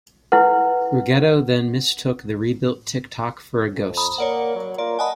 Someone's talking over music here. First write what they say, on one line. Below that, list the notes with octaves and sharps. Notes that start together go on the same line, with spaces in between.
Ruggedo then mistook the rebuilt Tik-Tok for a ghost.
E4 B4 F#5
F2
A#5 B5 D#6
A#3 A#4 C#5 D5 F#5
F#3
A#3 F4 A#4 D5
D#5 F#5 G#5 A5 B5